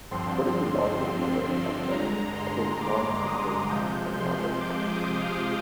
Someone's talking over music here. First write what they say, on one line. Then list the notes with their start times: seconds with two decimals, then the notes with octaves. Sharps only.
What is the largest number of subsets of which none contains any other?
0.11 G2 D3 F3 C4 C6
1.91 G2 D3 G#3 A#5
2.36 C6
2.81 D6
3.27 D#6
3.70 C3 F3 G#3 G6
4.16 C6
4.61 D6
4.91 D#6
5.20 F5